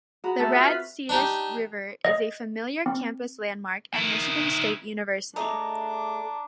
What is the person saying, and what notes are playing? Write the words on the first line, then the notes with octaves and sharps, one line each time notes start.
The Red Cedar River is a familiar campus landmark at Michigan State University.
F#4 G#4 A#5 B5
A3 C4 F#4 A4 E5
F4 B4
D4 D#4 G4
D#5
C4
D#3 E4
A3 D4 G#4 D#5 A#5 D6